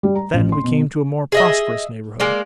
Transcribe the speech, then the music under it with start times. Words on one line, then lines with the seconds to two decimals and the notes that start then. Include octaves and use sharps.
Then we came to a more prosperous neighborhood.
0.03 G3
0.15 A#5
0.33 A1
0.52 C6
0.64 B2
1.32 G#4 D#5 E5
2.20 G#3 A#3 D5